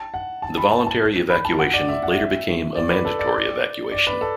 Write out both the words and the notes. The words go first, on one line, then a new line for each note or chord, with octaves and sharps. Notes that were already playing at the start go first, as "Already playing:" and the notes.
The voluntary evacuation later became a mandatory evacuation.
Already playing: A5
F#5
A5
B5
A5
A5
B5
A5
F#5
D5
E5
F#5
E5
D5
B4
A4
D5
D5
B4
A4